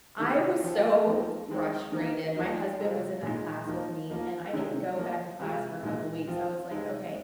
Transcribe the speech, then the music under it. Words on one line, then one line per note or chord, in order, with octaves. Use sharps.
I was so frustrated. My husband was in that class with me, and I didn't go back to class for a couple of weeks. I was like, "Okay,"
C3 D#3 A#3
F3 C4 F4
F3 C4 D#4
D#3 G#3 C4 D#4
D#3 A#3 D#4
F3 A#3 D#4
C3 G#3 C4 F4
A#2 G#3 D#4
F3 A#3 D#4
F3 A#3 F4
C3 D#3 G#3
F3 A#3 F4
C3 G#3 F4
A#2 G#3 D#4
F3 C4 F4
C3 G#3 D#4